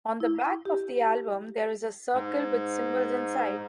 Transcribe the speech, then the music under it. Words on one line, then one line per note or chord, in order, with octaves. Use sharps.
On the back of the album, there is a circle with symbols inside.
E4
G4
G#2